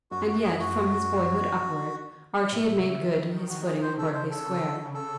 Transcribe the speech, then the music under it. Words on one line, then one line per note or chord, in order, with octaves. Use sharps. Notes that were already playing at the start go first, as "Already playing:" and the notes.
And yet, from his boyhood upward, Archie had made good his footing in Berkeley Square.
F#2 F#4
F#4
G#4
F#2 F#4
A2 E4
A2
C3
C#3
D#3
F#4
G#4
C5
C#3 A4
C5
A4
A4